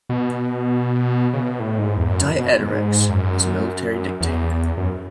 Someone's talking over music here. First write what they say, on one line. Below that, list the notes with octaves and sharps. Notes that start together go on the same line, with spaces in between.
Dieterichs, as military dictator.
B2
C#3
B2
A2
G#2
E2
F#2
B2
G#2
F#2
E2
F#2